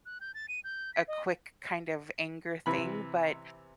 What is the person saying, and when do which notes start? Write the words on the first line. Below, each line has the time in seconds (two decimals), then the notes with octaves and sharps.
a quick kind of anger thing, but
0.06 F#6
0.21 G6
0.34 A6
0.49 D#7
0.64 G6
0.94 B6
1.08 D#5
2.66 C3 E3 B5